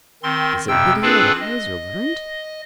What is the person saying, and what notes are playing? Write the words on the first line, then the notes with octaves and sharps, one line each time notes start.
Is it witty, or wise, or learned?
D#3 C4 C6
F2 C3 G5 E6
C4 D4 F4 G#4 A4 B4
D#5